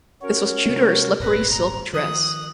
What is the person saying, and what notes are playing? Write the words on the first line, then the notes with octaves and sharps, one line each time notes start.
This was due to her slippery silk dress.
C#4 F#4 A#4 C#5
C3 G#3
D#1 G#1 B4 A#6
A#5
D#3 F3 D#6 F#6